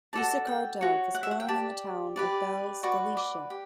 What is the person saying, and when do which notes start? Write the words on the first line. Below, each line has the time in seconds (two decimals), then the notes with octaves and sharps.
Yissachar Dov was born in the town of Belz, Galicia.
0.13 F#4 A4 D5 A5
0.47 G5
0.81 F#4 C#5
1.14 F#5
1.23 E5
1.31 F#5
1.40 G5
1.48 G4 D5 A5
2.16 G4 B4 D5
2.83 F#4 B4 D5 C#6
3.17 D6
3.50 G4